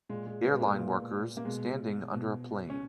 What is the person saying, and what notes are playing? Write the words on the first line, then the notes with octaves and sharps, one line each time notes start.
Airline workers standing under a plane.
A#2 G#3
G#3
B3
G#3
A#3
A#2
A#3
B2 G#3
B2
C#4